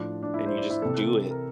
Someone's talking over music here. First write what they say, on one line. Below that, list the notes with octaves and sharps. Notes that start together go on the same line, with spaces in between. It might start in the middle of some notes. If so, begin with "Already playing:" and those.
and you just do it.
Already playing: A2 F3 D4
D4
E4
C5
D5
E4
C3 E3 A4
A#4